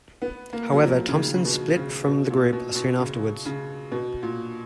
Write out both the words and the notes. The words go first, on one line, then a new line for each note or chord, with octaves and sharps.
However Thompson split from the group soon afterwards.
B3
A#3
F#3
F3
C#3
D#3
C#3
B2
C#3
B2
A#2
B2
B2
C#3
C#3
B2
A#2